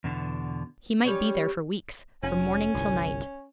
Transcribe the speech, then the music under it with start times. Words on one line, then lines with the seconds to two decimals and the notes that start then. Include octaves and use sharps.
He might be there for weeks, from morning till night.
0.04 E2 B2 D3
1.04 G3 C#4 C#5
2.23 F1 C#4 G#5
2.75 G1 C2